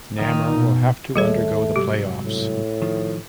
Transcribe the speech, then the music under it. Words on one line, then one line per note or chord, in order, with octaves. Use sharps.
Namur will have to undergo the playoffs.
D#3 D#4
B2
D#2 G3 A3 G#4 C#5
C2 G#2 F#3 G4
A2
D#3 F3